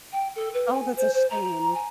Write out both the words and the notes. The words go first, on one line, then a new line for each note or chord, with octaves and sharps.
Oh, that's a shame.
G5
A4
B4
G#5
C5
C5
A#5
G#5